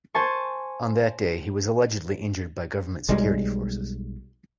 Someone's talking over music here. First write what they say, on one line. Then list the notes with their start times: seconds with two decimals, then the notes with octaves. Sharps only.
On that day, he was allegedly injured by government security forces.
0.14 C5 G#5 A5 C#6
3.09 B1 G3 G#3